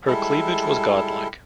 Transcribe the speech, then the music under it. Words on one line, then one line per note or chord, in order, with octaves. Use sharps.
Her cleavage was godlike.
G3 G#3 E4 A4